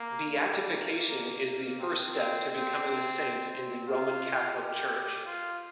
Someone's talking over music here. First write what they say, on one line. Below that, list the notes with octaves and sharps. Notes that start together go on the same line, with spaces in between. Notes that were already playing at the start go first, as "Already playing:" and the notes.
Beatification is the first step to becoming a saint in the Roman Catholic Church.
Already playing: A#3
G3
A#3
A#3
A#3
C4
C4
C4
F4
G4
F4